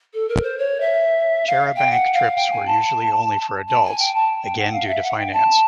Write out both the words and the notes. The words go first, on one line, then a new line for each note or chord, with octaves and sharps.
"Charabanc trips" were usually only for adults, again due to finance.
A4
A#4
C5
C#5
E5
F5
G5
F#5
F5
G5
G#5
A5
A5
G#5
G5
A5
G5
F#5
F5
E5
F#5
G5
A5